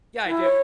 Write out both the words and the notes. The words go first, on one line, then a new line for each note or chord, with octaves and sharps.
Yeah, I do.
E4
C#5